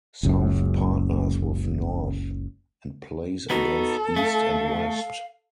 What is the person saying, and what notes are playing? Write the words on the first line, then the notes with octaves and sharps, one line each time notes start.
South partners with North and plays against East and West.
F#1 C#2 F#2
B3 D#4 F#4 A4
A3 F5